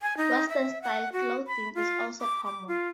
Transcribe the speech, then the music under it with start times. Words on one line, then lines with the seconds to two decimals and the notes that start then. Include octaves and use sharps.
Western-style clothing is also common.
0.02 G#5
0.17 D#4
0.49 E5
0.82 F#5
1.13 F#4
1.47 B5
1.75 F4
2.21 D6
2.45 D6
2.68 F4